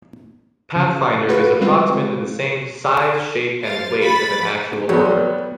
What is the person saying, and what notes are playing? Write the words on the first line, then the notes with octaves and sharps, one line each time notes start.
"Pathfinder" is approximately the same size, shape and weight of an actual Orbiter.
C#3
F4 F#4 B4
G3 G#3 C4 F4
C5 F5 A6
B5 A6
F#3 G3 B3